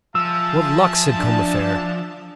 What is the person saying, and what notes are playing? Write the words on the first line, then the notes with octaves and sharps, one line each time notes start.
"What luck!" said Combeferre.
F3 G#4 E5 A5 E6
D4